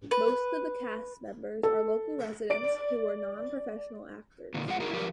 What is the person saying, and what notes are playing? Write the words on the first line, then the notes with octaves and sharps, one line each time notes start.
Most of the cast members are local residents who were nonprofessional actors.
B4
A4
D5 D7
A#2 D3 D#3
F2 F3 G#3 F#5
D#4 E4 F#4 G#4 A#4
F3 F#3 F#4 G4 A#4 B4